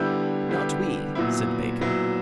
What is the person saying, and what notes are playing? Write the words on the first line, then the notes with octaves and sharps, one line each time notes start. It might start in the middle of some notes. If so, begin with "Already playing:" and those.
"Not we," said Bacon.
Already playing: D3 G3 B3 E4 G4
D3 G3 B3 E4 G4
A#2 F#3 B3 E4
A#2 F#3 B3 E4